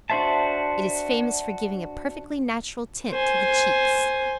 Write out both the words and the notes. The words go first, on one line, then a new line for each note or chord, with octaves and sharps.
It is famous for giving a perfectly natural tint to the cheeks.
D4 F#4 C5 E5 A5
C5 G#5